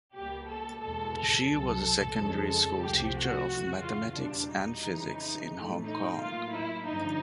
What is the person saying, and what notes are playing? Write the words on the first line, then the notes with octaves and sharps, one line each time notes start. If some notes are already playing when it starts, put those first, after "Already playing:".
She was a secondary school teacher of mathematics and physics in Hong Kong.
C#2 B2 G3 A#3 G4
A4
E2 B2 G#3 A4
C2 B2 F#3 A4
F2 C#3 F3 G#3
A4
C2 C3 F3 A3 G4
F#4
F2 C#3 E3
F4
E2 B2 G3 D4
D#4
F2 C#3 E3 G#3
A2 E3 A3
D#4
A2 F#3 A#3 F4
E4
G2 D3 F3 D#4